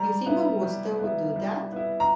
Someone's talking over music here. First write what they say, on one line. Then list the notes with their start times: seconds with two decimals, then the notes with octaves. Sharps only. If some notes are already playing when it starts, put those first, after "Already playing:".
You think a Wooster would do that?
Already playing: G3 A#5
0.26 B3 E4
0.63 G3
0.99 B3 E4
1.36 G3
1.72 B3 E4
2.00 A#5